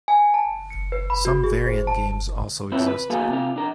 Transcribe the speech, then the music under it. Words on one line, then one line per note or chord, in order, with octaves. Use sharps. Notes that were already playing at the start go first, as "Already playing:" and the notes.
Some variant games also exist.
G#5
A5
C#7
B4
B5
F#4
G#4
C5
A5
C4 E4 F4 B4 C#5
B4
A#3 B3 F#4 G#4 A4 F5
C3 F4 F5
D4 A#4